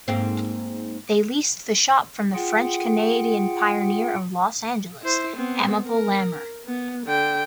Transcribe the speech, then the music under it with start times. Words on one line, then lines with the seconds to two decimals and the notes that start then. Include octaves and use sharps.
They leased the shop from the French Canadian pioneer of Los Angeles, Amable Lamer.
0.08 G#2 A#3 C4
2.34 F4 G#4 F#5 G5
5.02 E4 C5
5.36 B3 C4
5.86 A#4
6.66 B3
7.06 D3 G5